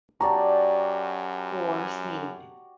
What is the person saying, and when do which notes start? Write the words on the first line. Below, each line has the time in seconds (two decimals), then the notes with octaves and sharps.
For Smeed.
0.20 F#2 F#4 G4 D5 A5 A#5